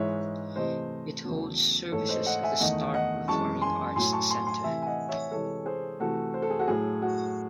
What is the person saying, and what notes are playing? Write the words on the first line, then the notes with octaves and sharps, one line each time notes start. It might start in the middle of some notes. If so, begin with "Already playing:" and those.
It holds services at The Star Performing Arts Centre.
Already playing: G#2 E3 G#3 C#5 E5
C3 E3 A3 C5 D#5
E2 C#3 F#3 A3
G#2 E3 A3 A4 C#5
C5 D#5
D#5 F#5
E5 G#5
E2 D#3 A3 D#5 F#5
D#5 F#5
F#2 E3 G#3 A5 C#6
G#5 C6
A2 F#3 A3 G#5 C6
A5 C#6
G#5 C6
G#5 C6
C3 E3 A3 E5 G#5
G#5
D#5 F#5
C#5 E5
C3 E3 G#3 A4 C#5
G#4 C5
C3 E3 A3 F#4 A4
C5
A4
G#4
F#4 A4
A2 F#3 A3 G#4
F#4